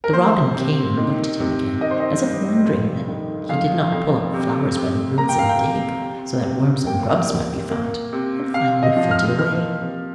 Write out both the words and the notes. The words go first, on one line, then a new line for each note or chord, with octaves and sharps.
The robin came and looked at him again, as if wondering that he did not pull up flowers by the roots and dig, so that worms and grubs might be found, and finally flitted away.
A#4
A#3 C5
C3
D#3
C3
D#3 D#5
C5
D#5
G2
F2
D#3
F2 F5
F2
C3
C3
A#3 A#5
G5
F5
G5
C3
C3
C3
A#3 G5
A#3
A#3
C3
C3 F5
D#5
F3
F6
A#3 F6
C3